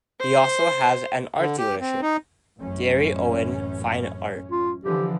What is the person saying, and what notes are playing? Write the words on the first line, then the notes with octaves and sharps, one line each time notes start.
He also has an art dealership, "Gary Owen Fine Art".
C5
D3
G4
C4
D#4
A1 F#2 C#4
F4
D3 E3 F3 G4